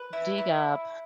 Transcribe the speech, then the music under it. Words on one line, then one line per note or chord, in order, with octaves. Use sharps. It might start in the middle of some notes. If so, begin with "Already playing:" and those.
dig up
Already playing: B4
E4
E4